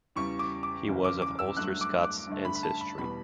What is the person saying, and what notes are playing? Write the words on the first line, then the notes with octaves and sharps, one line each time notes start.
He was of Ulster Scots ancestry.
E2 C#3 E3 G3 C#6
D6
D6
F#1 E2 C#3 E3
D6
D6
E6
G2 F#3 A3 F#6
D6
D6
G2 D3 A3
B5
B5
A5
B5
E2 B2 G3 B3 B5